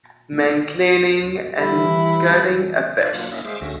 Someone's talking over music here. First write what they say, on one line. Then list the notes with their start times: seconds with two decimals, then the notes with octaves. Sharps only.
Man cleaning and gutting a fish.
1.58 E3 G3 E4 B5
3.01 D4 F4 B4 D5 E5 F5
3.13 F#3 A#3 D4 F4 F#5 B5
3.32 A#3 C#4 E4 D#5 E5
3.45 G#3 G#4 C5 E5 F5 D6
3.61 D2 D3 C#4 F#4 E5 A#6